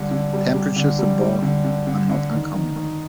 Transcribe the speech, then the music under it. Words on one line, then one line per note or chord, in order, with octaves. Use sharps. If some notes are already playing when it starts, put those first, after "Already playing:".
Temperatures above are not uncommon.
Already playing: D3 G3
D3
G3
G3
D3
G3
G3
D3
D3
D3
D3
D#3
D#3
D#3